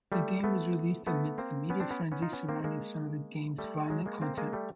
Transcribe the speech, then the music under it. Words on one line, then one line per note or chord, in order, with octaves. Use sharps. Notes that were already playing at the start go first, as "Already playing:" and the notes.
The game was released amidst a media frenzy surrounding some of game's violent content.
G3 A3
A3 B3
A3 B3
A#3 C4
B3 C#4
C4 D4
B3 C#4
B3 C#4
D#4 F4
B3 C#4
A#3 C4
G#3 A#3
G3 A3
F#3 G#3
G#3 A#3
A#3 C4
G#3 A#3
G3 A3